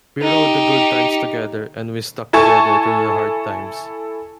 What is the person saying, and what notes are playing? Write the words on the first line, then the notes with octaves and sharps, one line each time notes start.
We rode the good times together, and we stuck together through the hard times.
D#4 G4
E4 A4 G#5 A5 C#6